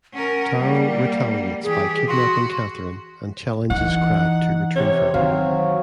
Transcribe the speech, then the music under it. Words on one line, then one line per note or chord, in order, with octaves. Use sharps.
Taro retaliates by kidnapping Catherine and challenges Crab to retrieve her.
C#4 A#4 F#5
G3 A#3
E3 G4 G#4
F#4 C6
E3 D#4 F#5
C3 C#5
D#3 F#3 C4 C5 F5